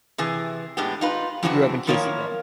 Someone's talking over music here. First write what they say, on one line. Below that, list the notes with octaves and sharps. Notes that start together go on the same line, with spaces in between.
He grew up in Caseyville.
C3 E3 G#4
A2 G#3 B3 D4 G4
D#4 F4 B4
F#2 C#3 E3 C4 D4 F#4
D#3 F3 A#3 E4 A#4 C#5